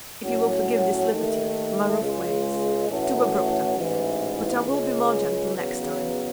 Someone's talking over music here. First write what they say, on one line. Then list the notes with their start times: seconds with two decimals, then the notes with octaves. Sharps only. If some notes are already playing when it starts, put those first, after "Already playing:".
If you will forgive this liberty,--my rough ways,--too abrupt, I fear--but I will be more gentle next time.
0.23 A2 F#3 C#4 F#4
1.12 D#2 D#3 A3
2.00 C#2 C#3 G#3
2.89 A2 E3 A3 C#4 F#4
3.77 A1 G#2 E3
4.66 C#2 C#3 G#3
5.54 E2 C#3 F#3 B3